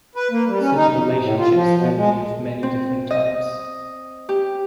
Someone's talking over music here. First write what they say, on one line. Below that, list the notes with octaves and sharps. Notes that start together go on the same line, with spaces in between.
Such relationships can be of many different types.
B4
A#3
G3
C#4
D#4
F2
B2
A2
F4
F3
B2
G#3
C4
D#5
G4